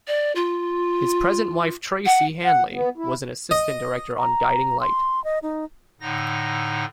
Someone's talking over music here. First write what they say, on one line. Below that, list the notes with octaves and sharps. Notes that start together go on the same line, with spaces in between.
His present wife, Tracey Hanley, was an assistant director on "Guiding Light".
D5
F4
F#5
F#5
B3
E4
D#5
A#5
C6
D#5
D#4
A2 D3 D#4 A#6